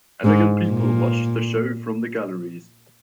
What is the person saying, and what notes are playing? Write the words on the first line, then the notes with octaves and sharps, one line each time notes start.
Elegant people watched the show from the galleries.
G#2
A#2